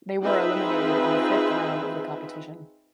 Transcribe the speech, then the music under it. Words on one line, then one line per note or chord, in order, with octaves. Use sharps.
They were eliminated in the fifth round of the competition.
C4 D#4 F4 G#4 B4 E5